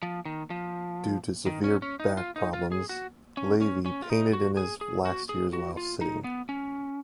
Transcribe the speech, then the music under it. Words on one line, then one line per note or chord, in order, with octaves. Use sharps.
Due to severe back problems, Lavie painted in his last years while sitting.
F3
D#3
F3
D#3
C#4
C#4
D#4
F4
D#4
F4
G#4
F#4
C#4
C#4
C#4
F4
D#4
F#4
G#4
G#4
F#4
G#4
F#4
F4
D#4
B3
C#4